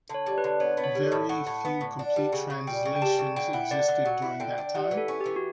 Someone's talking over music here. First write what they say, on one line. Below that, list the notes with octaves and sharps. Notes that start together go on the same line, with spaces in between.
Very few complete translations existed during that time.
D3 C#5
G3
B4
D3
B3 C#5
B3
C#5
G3
A4
A2
A2 F#5
A2
B3
A2
D4
G3
C#3
C#3
G3 G5
C#3
G5
G3 A5
C#3
D3 G5
E4 F#5
D3 D5
D3 F#5
F#3 F#5
E4
D3 G5
D3
G3 F#5
E3
A4
C#4
E3 G4
F#4